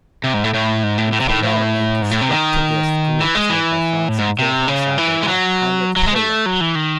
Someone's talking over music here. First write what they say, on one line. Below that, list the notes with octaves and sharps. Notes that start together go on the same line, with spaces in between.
In Cologne, a constructivist group was led by Franz Wilhelm Seiwert and Heinrich Hoerle.
C3
G#2
A2
A2
G#2
A2
A2
C3
A2
A2
G#2
A2
C3
D#3
E3
G#3
E3
A2
G#2
C3
C#3
E3
G#3
F#3
F#3
G#3
A3
F#3
E3
D#3